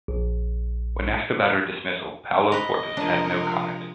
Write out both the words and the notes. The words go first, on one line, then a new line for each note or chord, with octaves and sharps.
When asked about her dismissal, Paulo Portas had no comment.
A#1
B4 D#5 A#5
C3 F3 G#3 D4 A#4